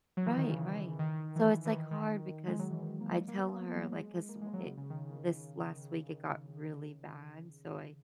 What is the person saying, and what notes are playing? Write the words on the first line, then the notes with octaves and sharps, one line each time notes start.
Right, right. So it's, like, hard because I tell her, like 'cause wha it this last week, it got really bad, so I
F#3
E3
D#3
C#3
D#3
E3
E3
D#3
D#3
G#3
F#3
E3
D#3
A#3
A#3
B3
A#3
F#3
G#3
A#3
G#3
F#3
C#3
C#3
D#3